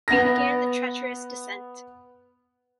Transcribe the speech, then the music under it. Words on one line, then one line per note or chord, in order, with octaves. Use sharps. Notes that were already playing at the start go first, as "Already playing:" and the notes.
We began the treacherous descent.
B3 A#6